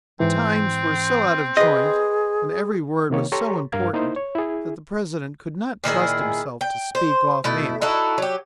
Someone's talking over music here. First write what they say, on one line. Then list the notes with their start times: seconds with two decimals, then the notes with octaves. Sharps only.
The times were so out of joint and every word was so important that the President could not trust himself to speak off-hand.
0.20 G#2 E3 C4
1.57 G#4 B4 D#5 C6
3.10 C3 D#3 A#3 C#5
3.32 G4 A4 C#5 A#5 C6 C#6
3.72 G2 A#4 F5 G#6
3.93 A#3 D#4 E4 C5
4.16 C#5
4.35 E4 G#4
5.84 A#2 D#3 E4 G#4
6.61 G5
6.95 C5
7.44 B2 A3 E4
7.81 D#4 E4 F#4 A4
8.18 F#3 G4